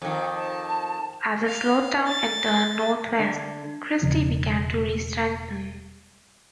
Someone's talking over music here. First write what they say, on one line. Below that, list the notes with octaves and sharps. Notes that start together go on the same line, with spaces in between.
As it slowed down and turned northwest, Kristy began to restrengthen.
F2 D#3
A5
F5
A6
D3
E1 C#3 F3 D4